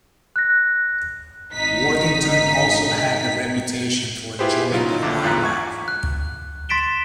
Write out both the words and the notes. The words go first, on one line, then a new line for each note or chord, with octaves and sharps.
Worthington also had the reputation for enjoying the high life.
F#6 A#6
G#1 D#4 B6
E4 F4 G4 G#4 B4 C5
C#3 F#3 D#4 F4
A#1 D3 D6
E2 G#2 F4 A#5 F#6 B6
C#6 G#6
F#6
C6 A6 B6 D7 E7 G7